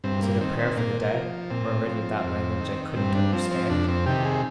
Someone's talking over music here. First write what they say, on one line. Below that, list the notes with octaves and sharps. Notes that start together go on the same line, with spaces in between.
Was it a prayer for the dead, murmured in that language I couldn't understand?
G2 C4
A#3
D#3 C4
C4
A#2 A#3
A#3
F3
A#2 C4
F3
F2
D#3
G2 C4
D4
F3 C4
C4
F2 D4
C4
C3 D#3 G4
G#4